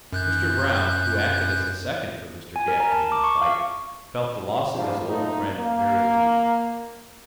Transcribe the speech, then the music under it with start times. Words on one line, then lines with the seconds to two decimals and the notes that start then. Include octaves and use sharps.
Mr. Brown, who acted as a second for Mr. Gafney in the fight, felt the loss of his old friend very deeply.
0.13 F#2 F#6 G6
2.56 G#5
2.68 A#4
2.80 A#5
2.92 A5
3.12 D6
3.24 C#6
3.42 F5
4.75 E2 G#2 F3 G3 A3 D4
5.08 F#2 A3 A#3 D#4
5.59 A#3